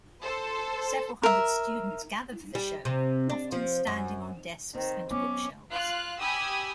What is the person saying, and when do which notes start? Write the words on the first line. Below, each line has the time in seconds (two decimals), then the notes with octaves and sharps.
Several hundred students gather for the show, often standing on desks and bookshelves.
0.21 A4 C5
1.23 A#4 E5
2.55 G3
2.85 C3
3.30 D4
3.52 F3
3.87 F#2
4.74 D#3 C4
5.11 F#3 B3 C#4 D6
5.71 F4 F5 F#6
6.19 G4 G#5 B5 D#6 E6